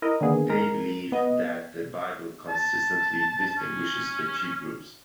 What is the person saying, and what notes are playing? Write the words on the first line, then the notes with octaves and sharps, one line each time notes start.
They believe that the Bible consistently distinguishes the two groups.
E4 A#4 D#5
D3 D#3 A#3 B3 G#4
G#3 A#4 A#5
B3 D#5
A5
C#4